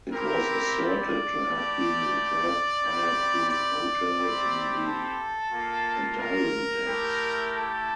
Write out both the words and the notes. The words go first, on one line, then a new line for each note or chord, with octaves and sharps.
It was asserted to have been the first fireproof hotel in the Adirondacks.
C4 E4 G4 A#4
D5
A3 E4 G4
C4 E4 G4
D5
C4 E4 G4
A4
A#3 F4
A#4
A3 E4 G4
A4